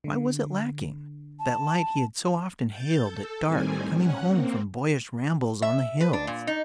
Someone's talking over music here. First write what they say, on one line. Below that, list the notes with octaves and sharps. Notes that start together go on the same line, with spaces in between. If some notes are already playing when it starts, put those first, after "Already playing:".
Why was it lacking, that light he had so often hailed at dark, coming home from boyish rambles on the hills?
D3
A5
G6 A6
A4
A2 D#3 G3 C4 G#5
C#4 F#5
A#3 C4
E5
B4
D4
A#2
D#4